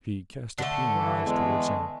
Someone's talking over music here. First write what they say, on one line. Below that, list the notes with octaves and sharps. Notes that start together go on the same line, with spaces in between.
She cast appealing eyes toward him.
D3 A3
E3
E2 G#3